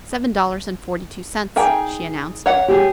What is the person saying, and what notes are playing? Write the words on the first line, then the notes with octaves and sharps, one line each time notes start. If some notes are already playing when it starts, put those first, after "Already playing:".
"Seven dollars and forty-two cents," she announced.
D#4 G#4 G5
C#5 F#5
G4 G#4